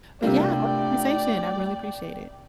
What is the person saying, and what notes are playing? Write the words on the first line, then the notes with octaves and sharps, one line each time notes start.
But, yeah, gr conversation. I really appreciate it.
C3 G3 A3 A#3 D4 F4 D5 G5